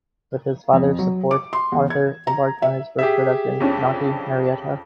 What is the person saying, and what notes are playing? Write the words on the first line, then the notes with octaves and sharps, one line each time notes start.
With his father's support, Arthur embarked on his first production, "Naughty Marietta".
F2
F#3
D6
C6
E2
G#6
A#5
E5
G4 G#4 E5
F2 C#4 D4